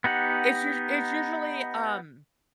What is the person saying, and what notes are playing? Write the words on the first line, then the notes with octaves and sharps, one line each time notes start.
it's usu it's usually, um,
B3 D#4 G4 F#5